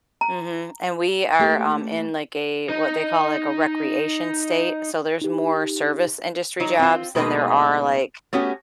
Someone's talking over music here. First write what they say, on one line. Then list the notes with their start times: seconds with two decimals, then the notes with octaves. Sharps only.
Mhm. And we are, um, in, like, a what they call, like, a recreation state. So there's more service industry jobs than there are like
0.21 A#5
1.39 A3 A#3 G4
2.69 D#4 D#5
5.22 D#4 G4
6.60 F#3 D#4
6.79 C4 F4
7.15 B2 G#3 A#3 D#4 B4
8.33 A3 B3 C#4 F#4 G4